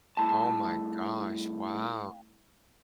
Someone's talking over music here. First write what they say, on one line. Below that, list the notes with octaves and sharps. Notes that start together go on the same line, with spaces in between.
Oh my gosh. Wow.
C2 A2 A5